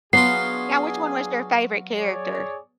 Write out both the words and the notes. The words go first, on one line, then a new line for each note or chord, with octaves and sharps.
Now which one was your favorite character?
F#3 B3 D4 F4 G#4 C7
G#4 C#5 D5